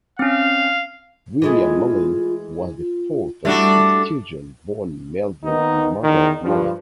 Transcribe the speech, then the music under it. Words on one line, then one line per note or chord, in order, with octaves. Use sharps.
William Mullen was the fourth of six children born Melvin and Margaret Mullen.
C4 C#4 F5
E3 G#3 A3 F4
F4
G3 A3 D4 E4 F#4 A4
D#3 A#3 B3 D#4
E2 D#3
G2 F3